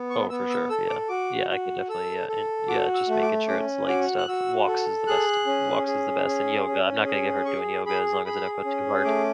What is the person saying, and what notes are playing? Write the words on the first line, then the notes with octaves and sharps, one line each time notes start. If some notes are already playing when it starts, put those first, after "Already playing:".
Oh, for sure. Yeah. Yeah. I could definitely yeah. And, yeah, just making sure it's light stuff. Walks is the best walks is the best. And yoga, I'm not gonna get hurt doing yoga as long as I don't go too hard.
Already playing: B3
C#6
B3 E6
E6
A4 E6
D6
F#4 D6
F#4
A4 E6
A4
F#4 D6
E6
A3
D6
C#4 D6
F#4 D6
F#6
F#4 E6
A4
G#4 F#6
C#4
G#4
C#4
C#4
G#4
G#4 C#6
G#4 B5
G#4 B5
C#4
A3 D6